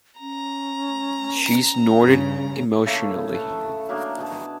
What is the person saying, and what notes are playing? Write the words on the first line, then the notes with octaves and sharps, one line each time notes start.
She snorted emotionally.
C#4 A#5
G2 C#3
C#3 A3 A#3 E4
A4 B4 A5
F#3 A#3 D4 G#4
B2 G#4 A5